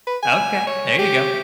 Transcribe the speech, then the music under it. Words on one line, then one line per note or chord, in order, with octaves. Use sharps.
Okay, there you go.
B4
G#5
C#5
G4